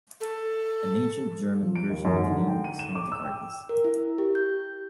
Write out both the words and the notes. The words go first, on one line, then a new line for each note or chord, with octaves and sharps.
An ancient German version of the name was Hildegardis.
A4
F3
D7
D#2
F#2
G#2
D3
G5
D#7
E7
D6
E6
G5
A#4
E4
G4
G6